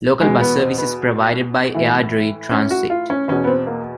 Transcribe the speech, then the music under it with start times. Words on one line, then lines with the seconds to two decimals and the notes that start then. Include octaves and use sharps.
Local bus service is provided by Airdrie Transit.
0.21 E2 B2 G#3
0.40 B3
0.59 C4
0.78 B3
1.74 A2 E3
2.51 C#4
2.71 F#4
2.90 F4
3.10 C#4
3.28 E2 B2 C#4
3.44 B3
3.47 C4
3.67 A#3